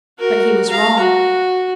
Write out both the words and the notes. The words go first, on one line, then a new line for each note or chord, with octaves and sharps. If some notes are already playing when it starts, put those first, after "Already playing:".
But he was wrong.
F#4 A#4
F5 A#5
F#4